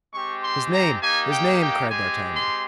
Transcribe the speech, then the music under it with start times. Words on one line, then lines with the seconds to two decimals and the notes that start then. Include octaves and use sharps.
"His name; his name!" cried d'Artagnan.
0.14 G#3 C4 G4 C#6
0.43 C6
0.72 A#5
1.02 A#3 D#4 G4 G#5
1.32 G5
1.61 G5
1.90 G#3 C4 G4 G#5
2.34 C6